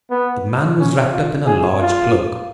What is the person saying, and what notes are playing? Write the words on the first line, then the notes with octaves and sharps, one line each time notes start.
The man was wrapped up in a large cloak.
B3
C#4
F4
G#4
F4